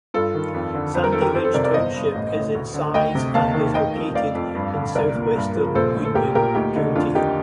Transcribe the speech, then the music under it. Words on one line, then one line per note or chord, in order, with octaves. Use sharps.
Sandy Ridge Township is in size and is located in southwestern Union County.
G2 F4 A4
D#3
F2
D3
F2 C5
A#4
D#3 A4
G4 A#4
F2 A4 C5
A4 C5
C3 A#4 D5
A#4 D5
G1 C5 D#5
G2
A1
A2
D2
D3
D2 D#5 G5
C3
D#2 F5 A5
D#3
F1 D#5 G5
F2
F1 D5 F5
F2
G2
D3
C2 A#4 D5
A#2
G2
F3
A#1 A4 C5
A2
A4
A#1 G4 A#4
A#2 G4 A#4
D2 D#4 G4
D3 D#4
F2 D4 F4
D#3 D#4 G4